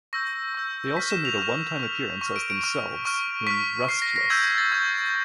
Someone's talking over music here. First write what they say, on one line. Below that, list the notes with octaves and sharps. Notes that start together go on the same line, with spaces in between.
They also made a one-time appearance as themselves in "Restless".
C#6 E6 G6 A#6
C#6 E6 G6
C#6 F6 B6
E7
F7
C#6 F6
C#6 F6
C#6 F6
D7
D7
C#6 F6
C#6 F6
C#6 F6 B6
C#6 F6 C7
A#6
A#6
C#6 E6 G6 G#6
G#6
A6
C#6 E6 G6 G#6